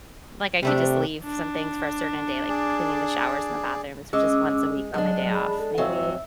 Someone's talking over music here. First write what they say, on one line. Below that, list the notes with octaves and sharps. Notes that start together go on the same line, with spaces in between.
like, I could just leave some things for a certain day, like cleaning the showers and the bathrooms, which is once a week on my day off maybe,
C3 G3 A3 D4
D4
G#4 D5
G#3 C#4 D6 E6
F#3 G#3 D4
G#4 B5
A4
F2 G#2 F#3 E5 E6